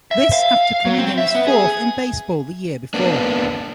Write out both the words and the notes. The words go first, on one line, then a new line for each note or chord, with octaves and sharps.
This after coming in as fourth in baseball the year before.
E5
F5
F#3
C4
E5
B3
G#4
A#3 B3 D4